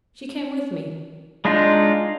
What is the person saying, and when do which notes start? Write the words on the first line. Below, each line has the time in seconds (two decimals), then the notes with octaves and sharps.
She came with me.'
1.45 G#3 D4 D#4 F4